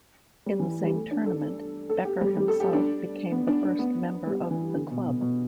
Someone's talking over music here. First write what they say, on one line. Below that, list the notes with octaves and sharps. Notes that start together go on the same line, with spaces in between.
In the same tournament, Becker himself became the first member of the "club".
G3
E3
G3
A3
D4
A4
A4
G4
G3
G3
A4
G4
D4
B3
D4
D4
B3
G3
E3
D3
B2
B2
B2